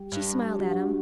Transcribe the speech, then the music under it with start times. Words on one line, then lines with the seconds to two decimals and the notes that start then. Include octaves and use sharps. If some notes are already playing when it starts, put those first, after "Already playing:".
She smiled at him.
Already playing: G3 G4
0.12 G2
0.59 F#3 F#4